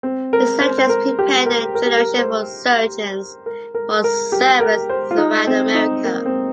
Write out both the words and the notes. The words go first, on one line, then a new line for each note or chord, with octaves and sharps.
His lectures prepared a generation of surgeons for service throughout America.
C4
A#4
C5
C5
A#4
G4
A#4
A#4
G4
A#4
C5
A#4
A#4
A#4
G4
A#4
C5
F4
D#4
C4
D#4
A#3
C4